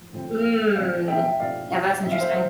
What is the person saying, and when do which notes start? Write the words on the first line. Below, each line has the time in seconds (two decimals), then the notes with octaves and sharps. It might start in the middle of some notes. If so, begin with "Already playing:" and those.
Mm. Yeah, that's interesting.
Already playing: A2 F3
0.13 A2 F3 C4
0.76 A2 F3 C4 D5 F5
1.08 E5 G5
1.23 E5 G5
1.39 A2 F3 C4 D5 F5
2.03 A2 F3 C4 E5
2.12 F5
2.20 C5 E5
2.34 C5